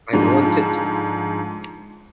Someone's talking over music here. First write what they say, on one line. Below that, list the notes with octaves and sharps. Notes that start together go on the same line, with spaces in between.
I've wanted to.
G#2 D3 F3